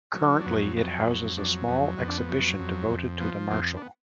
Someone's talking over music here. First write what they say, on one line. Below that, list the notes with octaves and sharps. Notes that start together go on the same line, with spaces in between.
Currently it houses a small exhibition devoted to the Marshal.
F#3
D4
F2 B3
F#3 B3
F2 B3
F#3 D4
F2 B3
F2 B3
D4
B3
F#3
F2
F2
F3 B3
F2 A#3
D4
B3